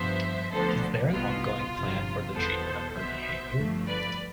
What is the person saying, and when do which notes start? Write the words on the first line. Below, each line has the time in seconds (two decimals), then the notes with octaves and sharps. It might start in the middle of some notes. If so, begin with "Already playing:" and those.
Is there an ongoing plan for the treatment of her behaviour?
Already playing: G2 F3 B3 C5 E5
0.51 D2 D3 F3 B3 A4 C5
1.13 C2 B2 B3 F4
1.74 G1 F2 C3
2.34 E2 B2 B3 A4 C5
2.95 B1 B2 B3 C5 E5
3.57 G1 G2 F3 A3
3.87 B4 D5